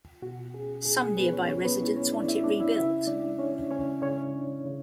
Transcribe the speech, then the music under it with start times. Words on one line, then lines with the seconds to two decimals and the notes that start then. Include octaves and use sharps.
Some nearby residents want it rebuilt.
0.22 B2 F#4
0.54 C#4 G#4
0.85 B2 G#4
1.02 G#4
1.17 F#3 B3 B4
1.33 C#4 C#5
1.49 F#3 C#4 C#5
1.65 B3 B4
1.81 E4
1.96 C#4 C#5
2.12 D4 E4 D5
2.28 E4 E5
2.44 C#4 D4 D5
2.60 E4 E5
2.75 C#3 E4 E5
3.07 G#3 D4 D5
3.39 C#4 D4 C#5
3.71 C#3 C#4 C#5
4.02 C#3 C#4 C#5
4.34 D4
4.65 C#3